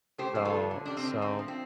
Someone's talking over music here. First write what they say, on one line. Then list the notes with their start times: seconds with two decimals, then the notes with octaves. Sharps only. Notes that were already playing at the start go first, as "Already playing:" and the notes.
So so
0.18 A3 G4 C5
0.35 F3 C5
0.45 F4 A4
0.54 D3
0.71 D3
0.85 G3 D4
0.97 C4
1.05 D3
1.22 A3 C4
1.39 F3
1.48 C4